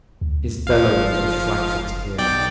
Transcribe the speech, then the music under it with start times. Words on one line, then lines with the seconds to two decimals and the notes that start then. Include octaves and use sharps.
His bellowings were frightful to hear.
0.21 D2
0.67 F#1 F3 F5
2.18 B1 D5 G5